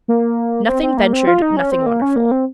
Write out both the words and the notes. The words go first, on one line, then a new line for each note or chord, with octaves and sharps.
Nothing ventured nothing wonderful.
A#3
C4
C4
A#3
C4
F4
D#4
C#4
C4
A#3
C#4
A#3
C4